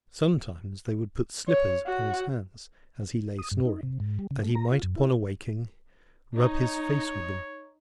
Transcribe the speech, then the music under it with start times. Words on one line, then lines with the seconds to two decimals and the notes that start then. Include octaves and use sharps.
Sometimes they would put slippers upon his hands; as he lay snoring, that he might, upon awaking, rub his face with them.
1.48 C#5
1.86 F#4
3.39 D#6
3.51 G2
3.65 D#4
3.83 C3
4.00 G#2
4.19 G3
4.31 C#3
4.44 A3
4.55 A#5
4.72 F4
4.83 F#2
4.96 E4
6.36 D#4 C#5